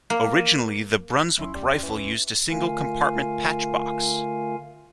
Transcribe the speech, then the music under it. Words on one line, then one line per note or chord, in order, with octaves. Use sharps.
Originally, the Brunswick rifle used a single compartment patch box.
A#3
C2 F#3 C#4 E4 C6
D#2 G3
E3
D3 A3 F4 A#4 F5 G#5